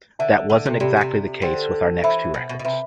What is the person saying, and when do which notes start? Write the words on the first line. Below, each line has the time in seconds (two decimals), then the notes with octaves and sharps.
That wasn't exactly the case with our next two records.
0.19 D3 B4 E5 A5
0.50 D3
0.66 C3
0.80 C3 G4 D5 G5 B5
0.97 D3
1.01 C3
1.42 D3 C5 G5 C6
2.03 E3 C5 E5 B5
2.34 B2
2.49 B2
2.59 B2
2.64 C3 B4 E5 B5